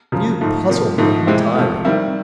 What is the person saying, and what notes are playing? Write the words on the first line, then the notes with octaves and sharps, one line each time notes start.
"You puzzle me entirely."
F#2 C#3 F3
G#2 F3 A3
C3 F3 A#3
G#2 F3 A3
C3 E3 G#3 C4 E4
C3 F3 A3
D#3 G3 C4 E4